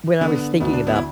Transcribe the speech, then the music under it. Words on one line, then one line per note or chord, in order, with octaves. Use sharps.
when I was thinking about
D3 B3
D2 B3
D4
B3
E4